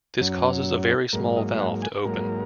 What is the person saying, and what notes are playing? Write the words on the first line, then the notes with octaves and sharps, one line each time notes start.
This causes a very small valve to open.
F#2 F#3 C#4
G#2 F#3 A#3 A#4
D#5
F#5
G#5
G#2 F#3 A#3 A#4